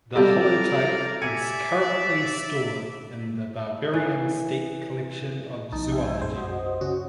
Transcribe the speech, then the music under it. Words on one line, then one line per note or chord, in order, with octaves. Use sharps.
The holotype is currently stored in the Bavarian State Collection of Zoology.
C3 G3 G4 A4 A#4 D5
D5 E5 G#5 C#7
E3 C#5
B1 F3 D#4 A5
E5 G5 G#5
F#2 A#2 G#4 C5
F#4 D#5
C#3 C#4 F#4